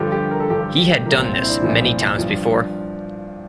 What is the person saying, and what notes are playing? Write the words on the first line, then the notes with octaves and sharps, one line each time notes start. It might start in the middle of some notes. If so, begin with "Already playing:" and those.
He had done this many times before.
Already playing: G2 D3 F3 G4
G4
A#4
A4
G2 D3 F3 G4
A4
C2 A#2 F3 A#4
C4
C4
E4
D4
C2 A#2 F3
G2 F3